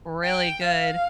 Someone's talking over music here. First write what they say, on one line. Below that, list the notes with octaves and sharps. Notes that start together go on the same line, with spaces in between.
really good.
G5
F5